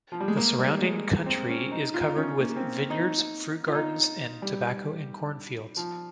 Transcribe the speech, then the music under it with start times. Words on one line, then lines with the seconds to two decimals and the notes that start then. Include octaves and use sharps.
The surrounding country is covered with vineyards, fruit gardens, and tobacco and corn fields.
0.12 F3
0.20 G3
0.28 G#3
0.36 A#3
0.59 G3
0.82 G#3
1.26 C4
1.49 C#4
1.71 D#4
1.94 F4
2.01 D#4
2.09 F4
2.16 C#4
2.39 A#3
2.56 C4
2.90 D#4
3.67 F4
3.75 D#4
4.42 G3
5.77 F3